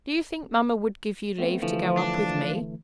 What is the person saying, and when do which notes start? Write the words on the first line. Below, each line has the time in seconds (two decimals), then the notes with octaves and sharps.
'Do you think mamma would give you leave to go up with me?
1.38 A3 B3 C4
1.62 D3 E3 F3 A3
1.97 D4